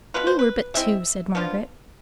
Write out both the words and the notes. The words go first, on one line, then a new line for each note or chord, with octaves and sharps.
'We were but two,' said Margaret.
B2 B3 F4 B4
C5
B4
G#3 C4 E4 E5
F3 B3 D4 F4